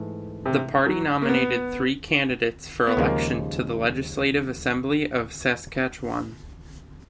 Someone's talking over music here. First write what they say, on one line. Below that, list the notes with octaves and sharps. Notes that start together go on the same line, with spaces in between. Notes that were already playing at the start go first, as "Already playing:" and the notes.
The party nominated three candidates for election to the Legislative Assembly of Saskatchewan.
Already playing: G#2 E3 A3
C3
F#3
A#3
B3
B3
D#2 C#3 F3 G#3 A#3